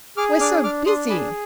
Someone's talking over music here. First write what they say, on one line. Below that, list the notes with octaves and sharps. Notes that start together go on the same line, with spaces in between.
"We're so busy."
G#4 D6 F6
D4 D6 F6
D4 D6 F6
D4 C6 D#6
G#4 B5 D6